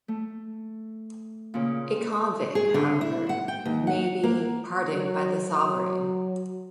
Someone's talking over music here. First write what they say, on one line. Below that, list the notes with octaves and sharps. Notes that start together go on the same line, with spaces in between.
A convict, however, may be pardoned by the Sovereign.
A3
A#2 C#3
G#4
D3
E4
F#5
G5
D#2
F#5
A#3
F#3
F#3